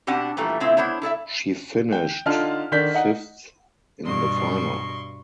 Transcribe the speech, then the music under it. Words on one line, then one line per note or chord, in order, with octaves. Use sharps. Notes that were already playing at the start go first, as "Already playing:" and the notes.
She finished fifth in the final.
B2 C4 D4 G4 F#5
A#2 E3 F3 G3 A3
A2 C3 C4 E4 F4
B3 D4 E4 C5 C#5
E4 A4 D5 E5
G5
D3 D#4 F4 A5 F6
D3 D#3 D4 G6 B6
D#4 F#5
G2 B2 C6 C#6